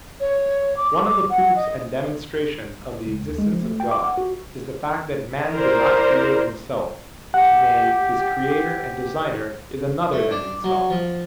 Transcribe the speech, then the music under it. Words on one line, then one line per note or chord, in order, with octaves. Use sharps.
One of the proofs and demonstrations of the existence of God is the fact that man did not create himself: nay, his creator and designer is another than himself.
C#5
D6
F#5
D#5
C#2
D#2
G#3
F3
A3
G5
D6
F#5
F#4
E4 A#4 C5 D5
G4 F#5
A3
D4
F#3
F3